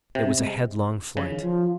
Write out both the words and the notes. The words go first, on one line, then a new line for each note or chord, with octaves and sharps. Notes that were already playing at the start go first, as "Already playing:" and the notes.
It was a headlong flight.
C3
C4
G#3
C#3 F3
D#3
F3